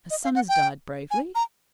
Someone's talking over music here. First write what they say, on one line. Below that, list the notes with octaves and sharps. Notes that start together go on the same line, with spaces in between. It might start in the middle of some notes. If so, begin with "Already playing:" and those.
Her son has died bravely.
D#5
F5
F#5
G5
G#5
A#5